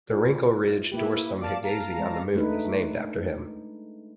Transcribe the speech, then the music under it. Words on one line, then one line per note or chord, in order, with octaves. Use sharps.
The wrinkle ridge Dorsum Higazy on the Moon is named after him.
F4 B4 D5
E4
A#3 E4 G4 B4
D5 F5 A5
F5 A5 A#5
G#3 C4
G#3 A3 D4 D#4 B4